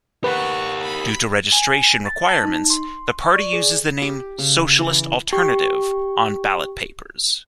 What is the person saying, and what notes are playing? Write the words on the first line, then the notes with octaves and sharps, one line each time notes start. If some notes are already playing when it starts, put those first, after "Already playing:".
Due to registration requirements, the party uses the name "Socialist Alternative" on ballot papers.
G4 A#4 B4 F#5 C#6
B5
G#5
A6
A5
D#4
C6
C#6
D5
G#4
G4
C#3
E3
G4 G5 C#6